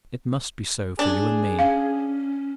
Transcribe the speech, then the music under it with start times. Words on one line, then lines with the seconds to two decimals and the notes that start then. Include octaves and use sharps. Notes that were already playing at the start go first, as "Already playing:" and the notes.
It must be so for you and me.
0.99 D4 G#4
1.59 C#4 F5